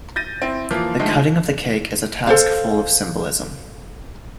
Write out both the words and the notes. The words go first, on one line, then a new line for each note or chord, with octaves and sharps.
The cutting of the cake is a task full of symbolism.
G6 A6 A#6 D#7
C4 E4 G5
E3 F3 A#3 F4
D3 D#3 F3 G#3 A3
A4 C5 F5